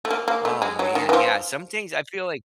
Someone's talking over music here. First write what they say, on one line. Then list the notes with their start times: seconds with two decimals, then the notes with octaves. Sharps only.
Oh, man, yeah, some things I feel like
0.05 A3
0.11 A#3
0.28 A#3
0.45 A3
0.62 G#3
0.79 F#3
0.95 D#3
1.09 E3
1.13 F3